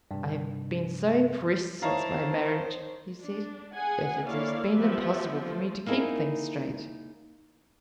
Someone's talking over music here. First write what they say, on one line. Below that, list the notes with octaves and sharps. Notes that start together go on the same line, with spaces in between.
"I have been so pressed since my marriage," he said, "that it has been impossible for me to keep things straight."
G2 C3
D#4 E4 C5 C#5 F5 A5 A#5
D4
G#4 F#5 G#5
A#3 E4 A4 C#5 D5 F5
F3 B3 G4 B4 E5
F3 A3
A#3 D#4 E4 G#4 A#4